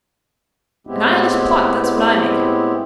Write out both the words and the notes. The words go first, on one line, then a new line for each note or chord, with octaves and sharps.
A Nihilist plot--that's what I make it.
A2 G#3 B3 C4 E4 G4